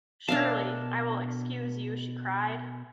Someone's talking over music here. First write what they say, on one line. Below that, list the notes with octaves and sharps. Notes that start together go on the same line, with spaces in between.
Surely I will excuse you, she cried.
B2 D4 A#4 E5 F5 A5